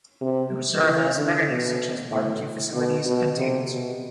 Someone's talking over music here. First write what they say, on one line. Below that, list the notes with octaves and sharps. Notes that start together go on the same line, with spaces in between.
The reserve has amenities such as barbecue facilities and tables.
C3
E3
D3
B2
A2
B2
B2
C3
B2